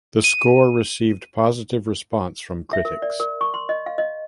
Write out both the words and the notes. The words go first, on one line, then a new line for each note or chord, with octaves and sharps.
The score received positive response from critics.
D#7
E5
A#4
D5
A#4
C#6
C6
D#5
F5
D#5